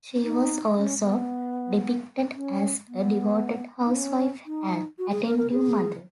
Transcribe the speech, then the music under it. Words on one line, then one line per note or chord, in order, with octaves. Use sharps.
She was also depicted as a devoted housewife and attentive mother.
D#4
C#4
B3
C#4
B3
D#4
C#4
D#4
F#4
G#4
A#4
A#4
G#4